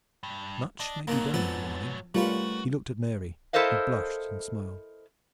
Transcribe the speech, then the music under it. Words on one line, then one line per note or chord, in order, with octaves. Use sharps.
"Much may be done in a morning." He looked at Mary, who blushed and smiled.
G2
D4 D#5
G#2 F#3 A#3 D4 D#4
F3 B3 D4 A4
G3 A3 C#4 F4 F#4 A#4 B4
E4 A4 A#4 C5 D#5 F5